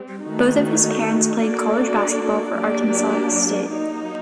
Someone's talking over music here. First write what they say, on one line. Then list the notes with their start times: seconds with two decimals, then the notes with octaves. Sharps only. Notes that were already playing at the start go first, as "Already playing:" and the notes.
Both of his parents played college basketball for Arkansas State.
Already playing: G3 C4 G4
0.26 D#3 A3 D#4 F#4
1.40 A#3 D4 F#4 A4 D5
2.54 F#3 A#3 D4 G4 D5
3.69 F#3 A#3 D#4